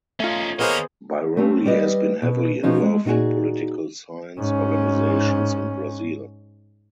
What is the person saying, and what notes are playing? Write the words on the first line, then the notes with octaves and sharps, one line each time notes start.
Biroli has been heavily involved in political science organizations in Brazil.
A3 C#4 D#4 F4
D#2 A#3 B3 G#4 A#4 C5 C#5 D#5
A3 C4 C#4 G4
G3 G4 B4 D#5
B2
B2 F3 C#4 D#4 F#4 G#4
G#3 A3
A#2 D#4 F4 F#4 G#4
G#2 C#4